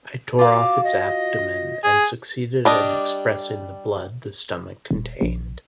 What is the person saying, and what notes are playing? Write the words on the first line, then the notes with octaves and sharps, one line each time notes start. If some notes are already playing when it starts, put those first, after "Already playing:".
I tore off its abdomen and succeeded in expressing the blood the stomach contained.
F4 F#4 F5 D6
D#5
G#4
G3 D4 D#5
D#1
A#1